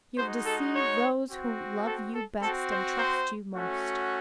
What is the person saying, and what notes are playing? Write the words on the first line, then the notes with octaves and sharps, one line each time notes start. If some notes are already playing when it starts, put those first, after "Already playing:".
You have deceived those who love you best and trust you most.
G#3 D#4 F#4 C5
A4
C#5
C4 F#4
A4
A4
C4 F#4 A4
C5
C5
A3 C#4 F#4